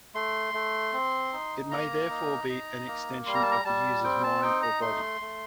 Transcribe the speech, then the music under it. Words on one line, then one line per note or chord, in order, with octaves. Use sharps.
It may therefore be an extension of the user's mind or body.
A3 C6
A3
C4
D#4
A#3 A#5
D#4
D#4
A#3
G3 C6
A#5
A5
A#5
G3 A5
C4 G5
A5
D#4 G5
A#5
A3 C6
A3